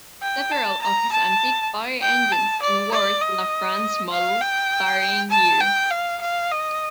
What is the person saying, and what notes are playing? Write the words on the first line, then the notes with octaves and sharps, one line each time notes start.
Several of his antique fire engines are Ward LaFrance models of varying years.
G5
A5
A#5
A5
G5
A5
D5
D5
D#5
F5
G5
A5
G5
F5
F5
D#5